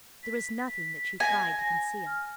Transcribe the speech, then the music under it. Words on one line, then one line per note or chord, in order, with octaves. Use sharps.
There was nothing that she tried to conceal.
B6
G#5 A#6
F6